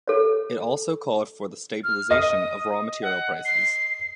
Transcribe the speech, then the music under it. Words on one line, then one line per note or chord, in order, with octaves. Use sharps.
It also called for the stabilization of raw material prices.
A4 C#5
F6
D#5 D#6
F#5
C7